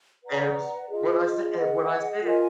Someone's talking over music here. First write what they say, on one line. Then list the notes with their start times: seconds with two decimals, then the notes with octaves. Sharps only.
And it was when I sa and when I said
0.22 B4 D5 F#5 A#5
0.89 F4 G#4 D#5
1.56 G#4 D#5 F#5
2.22 F4 A#4 D#5 G#5